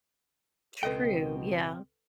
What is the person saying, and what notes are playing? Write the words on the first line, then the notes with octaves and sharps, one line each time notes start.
True, yeah.
C#2 B2 C4 A4 B4 D#5 G5